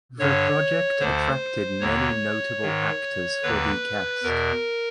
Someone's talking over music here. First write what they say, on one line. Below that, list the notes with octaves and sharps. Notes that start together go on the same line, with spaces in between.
The project attracted many notable actors for the cast.
G2 D3 C#5
D2 D3 C5
D#2 D3 C#5
G#2 D#3
D#2 D3 B4
E2 B2 A#4